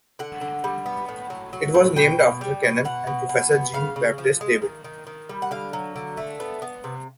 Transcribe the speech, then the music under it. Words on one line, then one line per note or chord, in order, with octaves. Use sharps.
It was named after canon and professor Jean-Baptist David.
D3 F#5
D3
G3
B3
A2
F#3
F#3
A2
B2 G5
B2
G3
B2
B2 F#5
B2
B2
B3
C#3 F5
C#3
F3
G#3
D#3
D#3
D#3
G3
F#5
D3 F5
F#3
D3
A3
B3
B3
C3